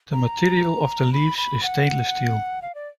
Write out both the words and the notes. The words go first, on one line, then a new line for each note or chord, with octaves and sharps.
The material of the leaves is stainless steel.
A#5
B5
B5
F#5
F5
D5